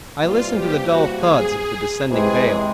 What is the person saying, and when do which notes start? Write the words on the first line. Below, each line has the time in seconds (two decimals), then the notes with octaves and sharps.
I listened to the dull thuds of the descending bale.
0.22 C3 E3 G3 A#3 F4
0.54 G4
0.85 F#4
1.16 G#4
2.10 C3 E3 G#3 C4 G#4